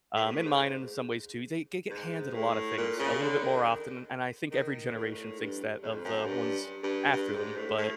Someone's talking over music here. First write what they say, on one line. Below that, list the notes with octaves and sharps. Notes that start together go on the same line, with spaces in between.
um, and mine, in some ways too, they they get handed a lotta things a little bit more often, and I think every generation thinks that of the ones after them. But,
A2
G#2
A2
G#2
G#2
A2
A#2
C#3
D3
D#3
D#3
A2
A#2
A2
G2
F2
F#2
G2
G2
G2
G#2
A2
A2